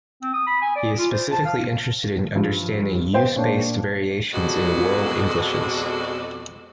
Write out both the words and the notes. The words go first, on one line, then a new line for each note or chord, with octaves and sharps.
He is specifically interested in understanding 'use' based variations in World Englishes.
C4
D#6
B5
G#5
D5
F4
C5
A5
F5
G2 F3
B3 C5 G5
A#2 D4 C#5
F2 B2 G#3 F#4 A4 D5